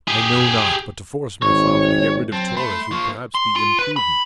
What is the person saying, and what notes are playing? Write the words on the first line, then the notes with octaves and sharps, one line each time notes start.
I know not--but to force my father to get rid of Torres would perhaps be imprudent!
G4 G#4
G#1 C#5
F#3 C4 A5
A3 B5 C6
F3 A#3 C#6
C6
F4
B4
B5